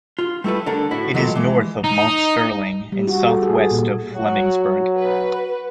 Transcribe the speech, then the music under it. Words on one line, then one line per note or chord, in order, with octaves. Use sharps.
It is north of Mount Sterling and southwest of Flemingsburg.
F4
G3 A3 E4 A4 B4
D3 D4 A4 A#4
A2 E4 F#4
D#3 F#3 G#3 A#3 F4 A4
E3 G#3
D#4
G3
F#4
A4
G#4
A#2
F#3 F#4
F#4 B4